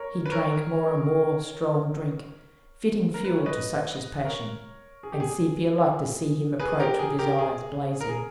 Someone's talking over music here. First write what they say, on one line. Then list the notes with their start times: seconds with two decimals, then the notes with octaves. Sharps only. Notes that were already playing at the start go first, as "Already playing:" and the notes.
He drank more and more strong drink, fitting fuel to such his passion, and Sepia liked to see him approach with his eyes blazing.
Already playing: A#4 C#5
0.26 B4
0.31 A#4 C#5
3.14 A#4
3.24 B4
3.35 C#5
3.46 B4 D#5
4.25 A#4 C#5
5.03 G#4
5.12 G4
5.20 G#4
6.60 G#4 B4
6.80 G4 A#4
6.99 G#4
7.19 G4 A#4
7.39 G#4
8.01 A#4
8.09 G#4